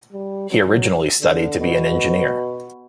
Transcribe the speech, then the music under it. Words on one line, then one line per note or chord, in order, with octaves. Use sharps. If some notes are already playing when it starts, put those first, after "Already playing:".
He originally studied to be an engineer.
G3
F#3
D3
B2